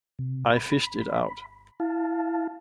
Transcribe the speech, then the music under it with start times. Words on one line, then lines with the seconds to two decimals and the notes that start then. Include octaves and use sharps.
I fished it out.
0.19 C3
0.53 B5
1.80 E4 F5 A5